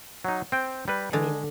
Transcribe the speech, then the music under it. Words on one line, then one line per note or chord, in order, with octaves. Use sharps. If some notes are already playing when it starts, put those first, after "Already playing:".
I I mean,
F#3 D#4
C4 G5
G3 B4
D3 G#3